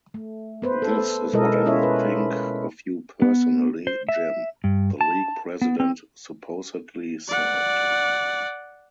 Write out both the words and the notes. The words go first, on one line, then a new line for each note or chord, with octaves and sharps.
"This is what I think of you personally, Jim", the league president supposedly said.
A3
B3 B4 C5
A4
B2 G#3 E4 A4 A#4 D#5
C#4 E4 F4 C#5 E5
B4
B3
C5
E5
G2
A5
B3
C4
D5 F#5